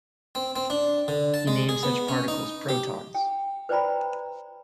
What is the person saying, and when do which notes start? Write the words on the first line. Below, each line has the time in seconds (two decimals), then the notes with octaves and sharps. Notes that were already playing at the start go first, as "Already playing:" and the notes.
He named such particles protons.
0.35 C4
0.56 C4
0.70 D4
1.08 D3
1.34 A5
1.47 G#3
1.69 G#4
1.83 B3
2.08 C#4
2.28 D#4
2.69 G4
3.15 G5
3.69 B4 C5 D5 G5 A#5 B5